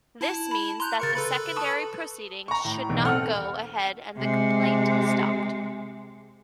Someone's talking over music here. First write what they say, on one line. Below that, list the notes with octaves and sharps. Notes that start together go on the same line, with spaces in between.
This means that the secondary proceedings should not go ahead and the complaint stopped.
E4 A5
B5
A#5 C6 F#6 G6
C#3 A#4 C#6 A6 C#7
A4 B4 B5
A5 C#6 D#6
A#5 C#6
A2
B1 E2
C4 A4 F#5 F6
C3 G#3